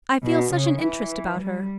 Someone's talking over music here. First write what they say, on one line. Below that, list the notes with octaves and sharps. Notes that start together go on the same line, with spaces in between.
I feel such an interest about her.
B2
C#3
E3
G3